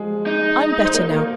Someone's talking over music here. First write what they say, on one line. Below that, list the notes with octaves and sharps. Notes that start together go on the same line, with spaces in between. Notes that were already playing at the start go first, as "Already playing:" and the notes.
I am better now.
Already playing: F3 G#3 G#4
D#4
C5
A#3 A#4
A#3 A#4